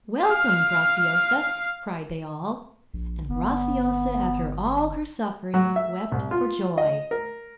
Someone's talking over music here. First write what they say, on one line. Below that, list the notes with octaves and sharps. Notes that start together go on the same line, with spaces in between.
"Welcome, Graciosa!" cried they all; and Graciosa, after all her sufferings, wept for joy.
F5 F6
A#1
G1 B3
F#3
E5
C2
F4
D#5
A#4